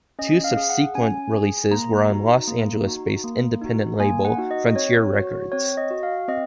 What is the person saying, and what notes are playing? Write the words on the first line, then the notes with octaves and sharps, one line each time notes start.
Two subsequent releases were on Los Angeles-based independent label Frontier Records.
C#4 D#5
F5
G#4
F#5
C#4 G#5
G#4
A#3 A#5
D#4 F#4
A#3
D#4 F#4
A#3
D#4 F#4
A#3 G#5
F#5
D#4 F#4
D#5
C4 C#5
F#4
C4 C#5
D#5
F#4
F5
C4 D#5